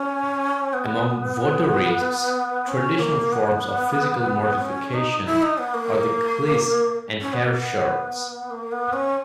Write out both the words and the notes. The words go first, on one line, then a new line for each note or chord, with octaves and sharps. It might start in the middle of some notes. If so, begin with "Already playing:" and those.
Among votarists, traditional forms of physical mortification are the cilice and hair-shirts.
Already playing: C#4
B3
C#4
A#3
B3
C#4
D#4
E4
D#4
B3
A#3
C#4
B3
A#3
B3
A#3
B3
C#4